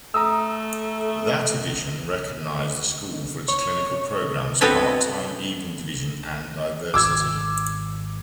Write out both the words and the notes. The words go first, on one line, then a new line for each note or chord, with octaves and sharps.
That edition recognized the School for its clinical programs, part-time evening division, and diversity.
A3 A#5 D#6 E6
C#5
B3 C4 F#4 A4 B4 C#5
G#1 D6 E6 G#6